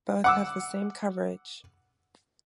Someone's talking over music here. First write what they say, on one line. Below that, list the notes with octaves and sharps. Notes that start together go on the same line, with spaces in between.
Both have the same coverage.
F#5 D6 E6